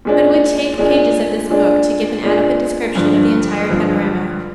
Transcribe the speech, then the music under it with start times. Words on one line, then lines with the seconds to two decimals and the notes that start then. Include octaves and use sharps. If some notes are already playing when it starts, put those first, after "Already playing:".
But it would take pages of this book to give an adequate description of the entire panorama.
0.05 A#2 G#3 D4
0.78 A#2 G#3 D4
1.50 A#2 G#3 D4
2.24 A#2 G#3 D4
2.96 G2 D3 F3
3.69 G2 D3 F3